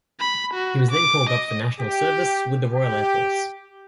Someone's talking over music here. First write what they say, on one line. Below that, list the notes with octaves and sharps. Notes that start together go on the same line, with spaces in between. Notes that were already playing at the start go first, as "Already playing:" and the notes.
He was then called up for National Service with the Royal Air Force.
B5
F#4
D6
D#5
G4
G4